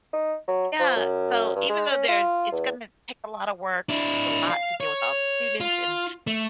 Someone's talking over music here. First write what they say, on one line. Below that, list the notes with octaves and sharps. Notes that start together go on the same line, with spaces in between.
yeah, so, even though there's it's gonna take a lot of work it's a lot to deal with all the students and
D#4
F#3
F3
F#2
G2
G#3
C#4
F4
E2
D4 E4
F5
C#5
F4
A3